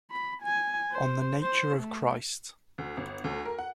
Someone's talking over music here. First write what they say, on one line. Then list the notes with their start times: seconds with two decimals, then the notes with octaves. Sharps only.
On the Nature of Christ.
0.11 B5
0.42 G#5
0.92 C5
1.43 C5
1.77 A3
2.78 D2
2.97 G1
3.24 D2
3.45 A#4
3.59 F#5